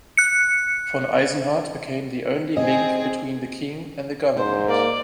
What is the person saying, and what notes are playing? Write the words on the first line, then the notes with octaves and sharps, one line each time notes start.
Von Eisenhart became the only link between the king and the government.
F#6 C#7
C4 G#4 D#5
G#2 C5
A#3 D5